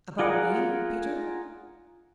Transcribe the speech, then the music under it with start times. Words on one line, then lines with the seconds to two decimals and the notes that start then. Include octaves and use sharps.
"About me, Peter?"
0.19 F4 G#4 A#4 F#5